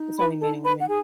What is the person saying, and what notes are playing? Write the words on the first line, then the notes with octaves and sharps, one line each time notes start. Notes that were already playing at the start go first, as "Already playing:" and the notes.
There's only men and women.
Already playing: D#4
B4 B5
A4 A5
B4 B5
F#5
G#4 G#5